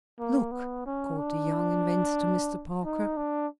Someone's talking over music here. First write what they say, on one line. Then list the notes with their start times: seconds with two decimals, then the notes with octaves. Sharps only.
"Look!" called the young inventor to Mr. Parker.
0.19 A#3
0.52 B3
0.86 C#4
1.18 D4
2.84 D#4
3.17 D4